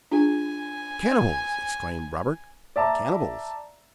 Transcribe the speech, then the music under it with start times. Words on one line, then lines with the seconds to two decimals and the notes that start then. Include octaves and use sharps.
"Cannibals!" exclaimed Robert, "cannibals?"
0.11 D4 F4 G#4 G#5
2.76 D5 E5 A5 A#5